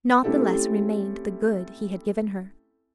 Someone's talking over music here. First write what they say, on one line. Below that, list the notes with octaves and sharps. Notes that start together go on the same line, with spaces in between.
Not the less remained the good he had given her.
A3 C4 C#4 E4 G4 A4